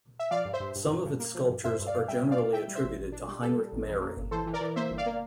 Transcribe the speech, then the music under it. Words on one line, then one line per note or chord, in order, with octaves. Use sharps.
Some of its sculptures are generally attributed to Heinrich Meyring.
E5
F3 D5 F5
G2
C5 E5
G2
G2
G2
G2
A#3
F3
G2
G2 C5 E5
G2
D5 F5
G2
G3 E5 G5
A2
D5 F5
A2
A2 E5 G5
G3
C5 E5
A1
A1
D4
G3
G3 A4
G3
A1
F2
A#3
G1
E3 A4 C5
E3
A#4 D5
E3
A#3 C5 E5
G1
D5 F5
A#3